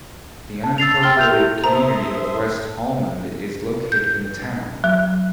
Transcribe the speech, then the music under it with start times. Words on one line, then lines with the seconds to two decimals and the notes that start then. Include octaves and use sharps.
The unincorporated community of West Almond is located in the town.
0.64 A5
0.78 E6 A6 C7 F7
1.03 G5 C6 E6 F6 A6 G7
1.17 E5 G6 F7
1.31 E4 G4
1.64 A#4 C5 E5 A5 A#5 C6 D#6
3.92 G6
4.84 F#3